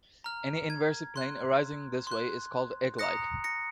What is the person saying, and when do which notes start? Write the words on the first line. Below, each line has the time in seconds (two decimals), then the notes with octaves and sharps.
Any inversive plane arising this way is called "egglike".
0.24 A#5 F6
0.70 G#6
1.16 C6 F#6
2.07 C6 F#6
2.99 A#5 D#6 F#6 A#6 C#7
3.44 A#6 C#7